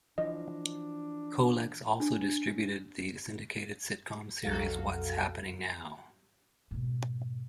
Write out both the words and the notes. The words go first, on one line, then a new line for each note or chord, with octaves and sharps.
Colex also distributed the syndicated sitcom series What's Happening Now!!
E3 F3 D4 D#5
D4
B1 F2 F#3 F#4 A4 F5
G#2 B2